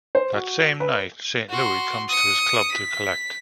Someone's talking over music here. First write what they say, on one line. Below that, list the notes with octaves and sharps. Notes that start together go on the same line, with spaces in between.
That same night, Saint Louis comes to his club to collect.
C5
F#4
B4
F#4 C6
D#6 C#7
B6